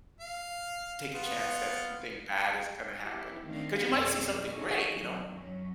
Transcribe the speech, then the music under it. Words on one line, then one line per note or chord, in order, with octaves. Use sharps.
take a chance that something bad is gonna happen." 'Cause you might see something great, you know?
F5
B3 F4
E4 G4
D#3 A3 C4 D4 F5
F2 B2 C#4 G#4 D5
D4 D#4 F#4 G#4 A4 C#5
D#3 F#3
F#2 F#3 C#4